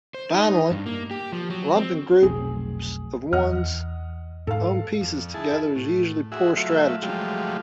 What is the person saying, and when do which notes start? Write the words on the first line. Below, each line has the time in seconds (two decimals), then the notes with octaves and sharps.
Finally, lumping groups of one's own pieces together is usually poor strategy.
0.15 C5
0.34 D#4
0.71 G2
0.86 A#3
1.11 G4
1.32 F3
1.50 F#3
1.77 C4
2.23 F1 B1 C4 G#4
3.33 E2 D#5 F#5 F6
4.47 G#2 A4 F5
5.01 F2
5.34 E4 G#4 A5
5.75 A2
6.32 F#4 G#4 E5
6.57 F#3 A3 F4 E5
7.02 F3 F#3 G#3 A3 F4 G4